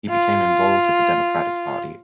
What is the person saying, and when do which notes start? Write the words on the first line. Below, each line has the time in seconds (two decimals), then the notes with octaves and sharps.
He became involved with the Democratic Party.
0.10 F4